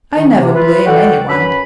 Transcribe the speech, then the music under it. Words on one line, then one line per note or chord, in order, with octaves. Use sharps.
I never blame anyone.
D#3
C3
E4 F4 B4
F#4 A4 D5 F#5 G5
F#2 B4 B5